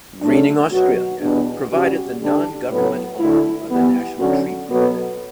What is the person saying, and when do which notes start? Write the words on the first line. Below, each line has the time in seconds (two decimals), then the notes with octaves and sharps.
Greening Australia provided the non-government arm of the National Tree Program.
0.21 C#3 F#3 A3 D4
0.71 B2 F#3 B3 F#4
1.21 E2 B2 G3 D4
1.71 C#3 G3 C#4 F#4
2.20 D3 G3 D4
2.70 A2 F#3 B3
3.19 D2 D3 A3 E4
3.70 E3 G3 B3
4.19 D3 F#3 C#4 F#4
4.68 B2 F#3 B3 F#4 A4